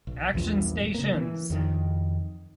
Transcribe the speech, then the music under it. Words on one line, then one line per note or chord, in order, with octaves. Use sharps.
Action Stations!
B1
A#1 E2 G2 F3
C#3 A#3
E3
F2 D#3